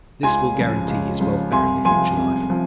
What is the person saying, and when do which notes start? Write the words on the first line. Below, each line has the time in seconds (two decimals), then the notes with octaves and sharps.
This will guarantee his welfare in the future life.
0.23 C#2 G#5 C6
0.55 C#3
0.60 F3
0.88 C#2
1.20 C#3 F3
1.52 C2 G#5 C6
1.85 C3 F3 G#5 C6
2.18 C2
2.50 F3